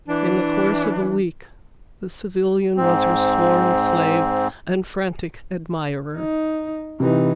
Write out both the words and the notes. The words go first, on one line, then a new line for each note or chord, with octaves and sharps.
In the course of a week, the civilian was her sworn slave and frantic admirer.
E3 D4
G#2 C4
D#4
C3 E3 D#4 B4